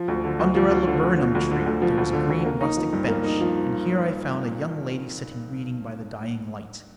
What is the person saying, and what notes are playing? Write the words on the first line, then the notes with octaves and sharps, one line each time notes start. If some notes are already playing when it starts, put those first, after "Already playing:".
Under a laburnum-tree there was a green rustic bench; and here I found a young lady sitting reading by the dying light.
Already playing: F3
D2
D3
D2
F3
D2
D3
D2
F3
D2
D3
D2
F3
D2
D3
D2
A#3
D#4
F3
G2
A#3
D#4
F3